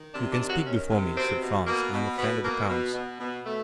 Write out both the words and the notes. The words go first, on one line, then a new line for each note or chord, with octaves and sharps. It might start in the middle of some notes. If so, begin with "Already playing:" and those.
"You can speak before me," said Franz; "I am a friend of the count's."
Already playing: D#3
C3 D4
D4
D#3
F#4
D#3 C#4
C3
B2 C4
B2
B2 A#3
B2
B2 B3
B2 A#3
B2
B2
B2
B2 A3